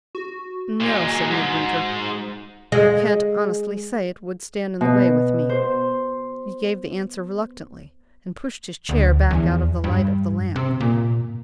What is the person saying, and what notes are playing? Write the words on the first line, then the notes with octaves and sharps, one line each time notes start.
"No," said Midwinter; "I can't honestly say it would stand in the way with me." He gave the answer reluctantly, and pushed his chair back out of the light of the lamp.
F#4
A#2 G#3
G#2
G#3
B2
C5
D2
E2
G2
C3
A#2